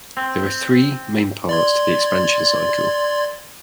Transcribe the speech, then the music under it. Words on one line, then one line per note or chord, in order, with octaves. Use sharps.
There are three main parts to the expansion cycle.
C4
D5 C6 G#6